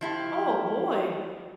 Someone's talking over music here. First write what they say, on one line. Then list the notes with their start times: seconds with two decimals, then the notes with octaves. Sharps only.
Oh, boy.
0.01 F3 E4 G4